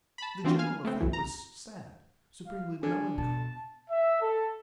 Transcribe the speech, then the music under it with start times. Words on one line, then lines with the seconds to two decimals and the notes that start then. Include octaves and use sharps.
The general effect was sad, supremely melancholy.
0.18 A5 B5
0.44 E3 F3 C4 D4 F4 F#4
0.59 F5 G#5 F6
0.85 A3 B3 C4
1.00 B1 F#2 B2 E3
1.13 A#5
2.46 F5
2.83 D3 G#5
3.18 B2 A5
3.90 E5
4.21 A4